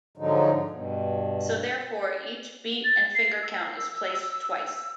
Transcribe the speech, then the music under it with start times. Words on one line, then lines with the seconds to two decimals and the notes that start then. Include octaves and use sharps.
So therefore each beat and finger count is placed twice.
0.18 G#2 D3 F3 F#3 G#3 D#4
0.70 G2 B2
2.84 A6
3.15 C7
3.43 E6